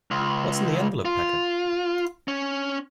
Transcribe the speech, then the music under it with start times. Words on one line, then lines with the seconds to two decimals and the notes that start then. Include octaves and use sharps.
What's in the envelope packet?
0.11 C#2
1.05 F4
2.28 C#4